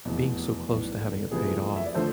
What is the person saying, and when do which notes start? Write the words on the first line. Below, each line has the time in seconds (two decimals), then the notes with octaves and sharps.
being so close to having it paid off,
0.05 F1 E2 B2
0.69 B1 A2 E3 B4 D5
1.01 A4
1.31 E2 C3 F3 A3 G#4 B4
1.76 E5
1.85 D5
1.95 D3 F3 A3 A4 C5